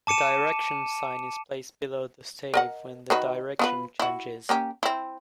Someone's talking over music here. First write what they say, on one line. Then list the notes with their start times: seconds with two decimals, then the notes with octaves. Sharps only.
A direction sign is placed below the stave when the direction changes.
0.07 A5 D6 C#7 D#7 E7
2.54 A#4 D#5 F#5
3.10 D#3 F#4 B4
3.59 B3 F4 B4
3.99 E4 F#4
4.49 A#3 C#4 G4
4.83 C4 E4